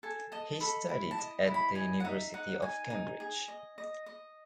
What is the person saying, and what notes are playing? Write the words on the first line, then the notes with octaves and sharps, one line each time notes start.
He studied at the University of Cambridge.
A4 G#5
D#5 A5
A4 B5
E4
A5
D#5
E4
B5
D#5 G#5
F#5
D#4 E5
D#4 F#5
D#4 G#5
D#4
G#4
D#5
D#5
D#5